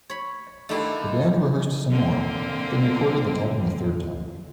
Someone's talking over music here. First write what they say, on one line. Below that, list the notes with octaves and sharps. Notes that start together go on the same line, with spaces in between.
The band rehearsed some more, then recorded the album a third time.
C#5 B5
D3 D#3 A3 A#3 E4 G4
D3 A#3 C4